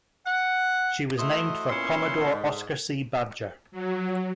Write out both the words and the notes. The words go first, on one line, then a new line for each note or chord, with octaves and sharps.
She was named for Commodore Oscar C. Badger.
F#5
A3 E4 F#4 C5 D#5
A#2 B3 C#4 E4 C6
G#2
F#3